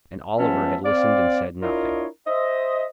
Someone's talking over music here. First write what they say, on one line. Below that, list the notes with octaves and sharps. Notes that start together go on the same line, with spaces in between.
And Oliver had listened and said nothing.
F3 G#3 B3 C#4 E5 A5
C4 D5 F5
D4 E4 F4 A#4 C#5 D#5
C5 D#5 E5